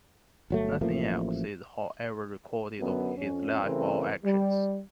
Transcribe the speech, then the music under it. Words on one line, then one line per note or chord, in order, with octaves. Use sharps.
Nothing else is however recorded of his life or actions.
G1 F#3 A3
A1 F3 A3 A#3
F#2 D3 B3
F2 C#4
C#3 E3 A3 C4 A#4
G3